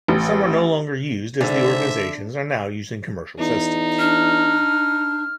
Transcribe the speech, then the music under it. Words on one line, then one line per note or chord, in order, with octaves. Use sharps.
Some are no longer used as the organizations are now using commercial systems.
A1
G#2 D3 C5 E5
E2 D#4
D4 F6